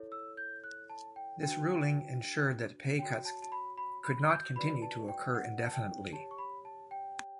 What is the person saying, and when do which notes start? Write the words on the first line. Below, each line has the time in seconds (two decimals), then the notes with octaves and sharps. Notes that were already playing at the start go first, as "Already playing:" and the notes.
This ruling ensured that pay cuts could not continue to occur indefinitely.
Already playing: E4 A4 C#5
0.12 E6
0.37 G6
0.64 F#6
0.90 A5
1.16 G5
1.42 D4 F#4 B4 G5
2.99 F#4 C#5 G5
3.25 A5
3.42 A5
3.52 B5
3.78 B5
4.04 B5
4.30 G6
4.56 F#4 B4 D5 B5
4.82 A5
5.08 G5
5.34 F#5
5.67 A5
5.73 G5
6.12 G4 C#5 A5
6.31 C#6
6.38 B5
6.65 A5
6.91 G5